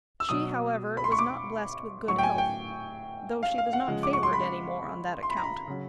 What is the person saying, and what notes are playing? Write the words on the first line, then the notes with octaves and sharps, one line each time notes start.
She, however, was not blessed with good health, though she was not favored any more on that account.
E6
B2 F#3 D#6
B5
C6
C#6
D6
A2 F#3 C#6
G5
G#5
G5
F5
F5
F#5
C#3 F3 G#3
D6
C#6
C6
B5
C6
B5
A#5
B5
C#3 F#3